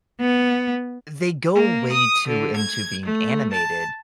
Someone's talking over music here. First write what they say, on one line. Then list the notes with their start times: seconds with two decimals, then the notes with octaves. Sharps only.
they go way too into being animated,
0.20 B3
1.55 A#3
1.92 D#6
2.29 D3
2.57 G#6
3.07 A3
3.54 A5